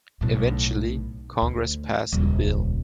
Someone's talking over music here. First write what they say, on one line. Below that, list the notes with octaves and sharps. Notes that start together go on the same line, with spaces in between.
Eventually, Congress passed the bill.
B1 A2
D2
D#1 C#2